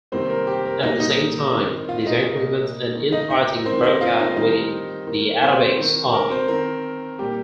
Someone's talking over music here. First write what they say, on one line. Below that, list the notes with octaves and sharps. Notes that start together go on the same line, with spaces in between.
At the same time, disagreements and infighting broke out within the Atabeg's army.
C3 D#3 G3 A#3 C4 C5
A#4
G4
A#4
A#2 G3 A#3 D#4 D#5
D#4 D#5
D#3 C4
F4 F5
D#4 D#5
A#2 A#3
D#3 A#3
D#4 D#5
D#4 D#5
D#3 A#3 C4 C5
D#4 D#5
F4 F5
D#4 D#5
D#3 G3 C4 D#4 D#5
D#3 A#3
C4 C5
D#3 C4
A#4
C4 C5
D#3 C4 A#4
A#2 G3 A#3 G4